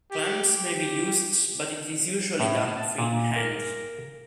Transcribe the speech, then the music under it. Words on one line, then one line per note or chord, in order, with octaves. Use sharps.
Clamps may be used but it is usually done freehand.
G4
G4
A2
A5
A#2
A#4